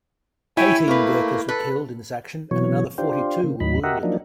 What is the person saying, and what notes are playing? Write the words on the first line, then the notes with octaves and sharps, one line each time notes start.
Eighteen Gurkhas were killed in this action and another forty-two were wounded.
E4 C#5 E5 G5 G#5
A3 A#3 A#4 B4
A4 B4 F#6
B2 E3 F#3 C#5
D4 F4 G4 C5
C#3 A#3
D#2 A2 F#3 D#4 B5
F#4 G4 A#4 D#5 E5 F#5
F3 F#3 A#3 D4 D#4